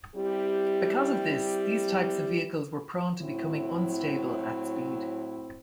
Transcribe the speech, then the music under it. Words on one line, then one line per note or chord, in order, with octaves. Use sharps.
Because of this, these types of vehicles were prone to becoming unstable at speed.
G3 C4 E4 G4
A2 F#3 C4 E4